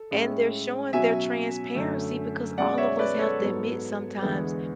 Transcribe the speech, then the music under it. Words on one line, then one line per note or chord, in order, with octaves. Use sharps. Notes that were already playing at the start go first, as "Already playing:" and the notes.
and they're showing their transparency, because all of us have to admit sometimes
Already playing: A4
A2 G#3 C#4
B2 F#3 C#4 E5 G#5
F#2 D3 A3
B2 G#3 C#4 D5 F#5
C#5 E5
B4 D5
A4 C#5
G#2 F#3 B3
E2 D3 G#3 B3